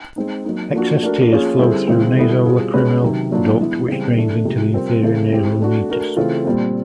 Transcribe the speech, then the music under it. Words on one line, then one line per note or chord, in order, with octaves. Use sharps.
Excess tears flow through nasolacrimal duct which drains into the inferior nasal meatus.
G#3 C4 D#4
F#3 A#3 D#4
F3 A#3 D4 F#4
A3 D4 F#4 A#4
F3 A#3 C#4 F4 G#4
D3 G3 C4 E4 G#4
C#3 E3 G#3 C4
D3 G3 B3 E4
B2 G3 C4 F4 G#4
G#3 C#4 F#4 B4
C3 D#3 F#3
A#2 F#3 A#3 D4 F4
E3 G#3 B3 E4
C#3 E3 G3 C4
E3 A3 D4
C3 F3 G#3
G3 C4 F4 A#4
C#3 E3 A3 C4
E3 G#3 C4 E4 G4
A3 D4 F#4
A3 D4 F#4 A#4
C#3 E3 A3 C4 F4
A#2 G3 C4